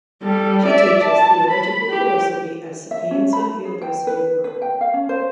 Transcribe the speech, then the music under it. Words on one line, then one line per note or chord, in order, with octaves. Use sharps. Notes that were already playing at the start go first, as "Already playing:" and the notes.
She teaches theoretical philosophy at the Sapienza University of Rome.
G3 A4
D5 E5
A5
B5
G4
E5
C#4
B5
G#4
G5
B4
B4
G5
F5
C#4
C5